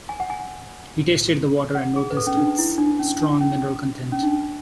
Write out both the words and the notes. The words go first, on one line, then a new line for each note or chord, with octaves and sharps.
He tasted the water and noticed its strong mineral content.
G#5
F#5
G#5
F#5
G#4
B4
A4
C#4
D4
E4
D4
C#4
D4
C#4
C#4
D4